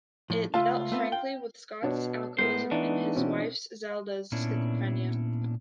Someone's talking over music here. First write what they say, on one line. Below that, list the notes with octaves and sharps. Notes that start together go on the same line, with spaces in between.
It dealt frankly with Scott's alcoholism and his wife Zelda's schizophrenia.
A2 F3
C#2 A3 F4 A5
A3 B3 C4
G5
B2 D4 C#5
A2 G#3 B3 A#4 C5
E3 A3 D4 D#4
B2 C4 C#4
A#2 B3 C#4 D4 E4